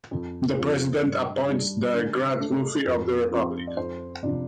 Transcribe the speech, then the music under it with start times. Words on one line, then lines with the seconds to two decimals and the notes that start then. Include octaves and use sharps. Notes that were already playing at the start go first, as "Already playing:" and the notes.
The President appoints the Grand Mufti of the Republic.
0.11 F2
0.57 F3 C4
1.03 G2
1.48 G3 D4
1.94 D3
2.40 A3 D4
2.86 F2
3.31 F3 C4
3.67 D5
3.77 F2 C5
4.23 C3 F3 D4 D5